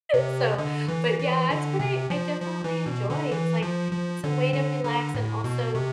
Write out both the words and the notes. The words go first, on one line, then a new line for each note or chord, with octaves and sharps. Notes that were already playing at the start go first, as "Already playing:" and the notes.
so but, yeah, it's what I I definitely enjoy, it's, like, it's a way to relax and also
C3
D3
E3
E3
D3
C3
F3
F3
E3
B2
D3
E3
F3
F3
D3
D3
D3
A2
B2
C3